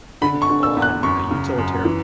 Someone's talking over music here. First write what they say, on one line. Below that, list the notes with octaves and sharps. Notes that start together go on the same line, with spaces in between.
think on a utilitar
D3 B5
C#6
D3
E6
E2
F#6
F#2 C#6
C#3
F#2
E3